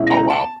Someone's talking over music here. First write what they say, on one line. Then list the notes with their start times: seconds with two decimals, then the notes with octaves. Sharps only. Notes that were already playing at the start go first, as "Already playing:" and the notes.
Oh, wow.
Already playing: B2 G#3 C#4 E4
0.11 A#5
0.30 A5